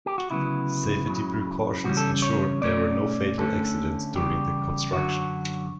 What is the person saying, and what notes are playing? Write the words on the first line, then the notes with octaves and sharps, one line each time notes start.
Safety precautions ensured there were no fatal accidents during the construction.
G4
F#4
D2 C#3 F#3 B3 E4
C#2 C#3 F#3
E2 C#3 G3 C#4 F#4
A4
C#5
B2 A3 C#4 D5
D2 D3 A3 C#4 A4
E2 C#3 G3 G4
F#2 D3 F#3 F#4